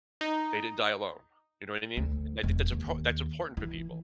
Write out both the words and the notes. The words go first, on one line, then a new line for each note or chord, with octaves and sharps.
They didn't die alone. You know what I mean? And I think that's a po that's important for people.
D#4
D2
E1
D#2
E3